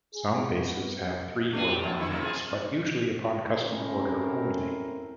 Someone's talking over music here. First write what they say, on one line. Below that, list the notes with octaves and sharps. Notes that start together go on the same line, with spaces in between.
Some basses have three or more necks, but usually upon custom order only.
G#4
B3
A3 D4 F#4
A#2 G4
A#2 F3
D3 E4
B2 A#3
C4 F4 G#4
C4 C#4 E4 A4 A#4